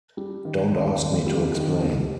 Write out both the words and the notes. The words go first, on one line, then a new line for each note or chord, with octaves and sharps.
Don't ask me to explain.
G3
D#3
D#2
D#2
G3
D#3
G3